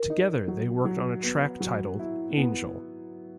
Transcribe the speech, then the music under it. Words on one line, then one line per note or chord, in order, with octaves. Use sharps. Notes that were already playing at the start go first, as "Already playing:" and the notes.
Together they worked on a track titled "Angel".
Already playing: A#4
D#4
F#3
F#3
B3
F#3
E4
B3